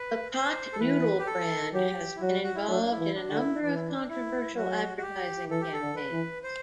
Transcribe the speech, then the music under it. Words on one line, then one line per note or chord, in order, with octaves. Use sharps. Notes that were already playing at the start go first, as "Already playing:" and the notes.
The Pot Noodle brand has been involved in a number of controversial advertising campaigns.
Already playing: B4
C5
A4
E3 B4
G4
A4
F#3 G4
E4
F#3 F#4
F#4
E4
F#3 D4
E4
E3
D4
D3 F#4
E4
E3 D4
E4
D4
E4
F#3 F#4
F#4
G4
E3 A4
G4
A4
D3
B4
E3
C5